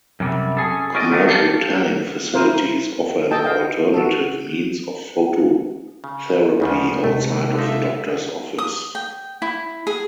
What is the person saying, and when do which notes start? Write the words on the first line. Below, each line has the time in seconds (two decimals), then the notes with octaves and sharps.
Commercial tanning facilities offer an alternative means of phototherapy outside of a doctor's office.
0.20 F#2 C3 G3
0.57 C#4 G#4 A4
0.95 C#4 F4 D5 D#5
1.11 D3 D#3 F#3 A3 B3
1.28 G4 A4 F5
2.34 E4 A#4 C5 F5
3.31 A4 D#5 G5 A5
3.44 D#5 F5 G5
3.94 F#4 A4
6.04 C#3
6.60 D2 C#3 F3
7.04 C3 G#3 A3
7.54 D3 D#4 F4 A4 E5
8.59 D#6
8.95 G5
9.42 E4
9.87 G#4